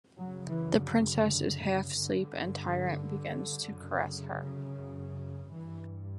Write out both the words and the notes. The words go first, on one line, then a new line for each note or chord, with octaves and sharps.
The princess is half sleep and Tirant begins to caress her.
F#2 C#3 F#3
E3
D3
D3
G2 D3
F#2 C#3
G2 E3